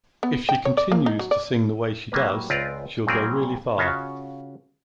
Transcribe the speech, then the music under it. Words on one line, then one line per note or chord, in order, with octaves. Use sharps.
If she continues to sing the way she does, she'll go really far.
B3
G5
C#5
D5
A#3
D#4
F#3
D5
F#3 G3 A#3 B4
C#2 C4 F4 B4 D5 A#5
A#2 F#3 G3 C4 G#4 A#4
C#3 C#4 F4 F#4